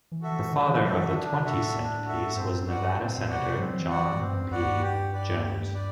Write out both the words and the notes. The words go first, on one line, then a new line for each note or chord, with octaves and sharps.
The father of the twenty-cent piece was Nevada Senator John P. Jones.
E3
F#4 A4 E5
E3
D3 D4
E3
F#3 F#4 A4 E5
E3
D3 D4
C3
F#4 A4 E5
A2
D4
F#4 A4 E5
G2 C4
F#2
F#4 B4 D5 F#5
G2
A2 C4
A2
F#4 B4 D5 F#5
C3
F#3 C4
E3
F#4 B4 D5 F#5
E3
G2 C4
F#2
F#2 F#4 B4 D5 F#5
G2
G4
B4 D5
G4
B4 D5